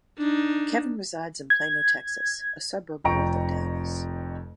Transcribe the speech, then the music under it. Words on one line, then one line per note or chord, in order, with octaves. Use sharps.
Kevin resides in Plano, Texas--a suburb north of Dallas.
D4 D#4
G#6
F1 F2 G5 A#5 C#6 D7